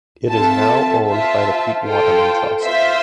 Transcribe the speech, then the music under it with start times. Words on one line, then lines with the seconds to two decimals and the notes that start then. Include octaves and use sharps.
It is now owned by the Pete Waterman Trust.
0.30 C4 F4 A4 E5 A5
1.07 F4 C5 E5 A5
1.83 F4 A4 C5 G5
2.62 F4 C5 E5